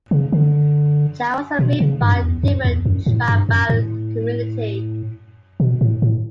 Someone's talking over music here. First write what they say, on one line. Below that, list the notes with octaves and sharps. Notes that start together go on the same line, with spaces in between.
Chariots are made by a different tribal community.
C#3
D3
B2
C#3
G2
F#2
E2
F#2
E2
F#2
A2
G2
F#2
A2
B2
A2
A2